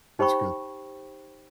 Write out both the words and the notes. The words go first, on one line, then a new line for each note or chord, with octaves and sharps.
That's good.
D#4 G4 C5 G5 B5 C#6